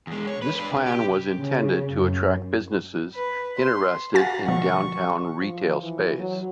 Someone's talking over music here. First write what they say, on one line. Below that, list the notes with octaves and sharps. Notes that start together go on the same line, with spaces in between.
This plan was intended to attract businesses interested in downtown retail space.
E2 G#3
C#5
B4
D4 B4
C3
G4
C#3
F#2
B4
C6
F#4 F5 F#5 G#5 A6
B2 D3 F3 C#6
F3
E3
F#3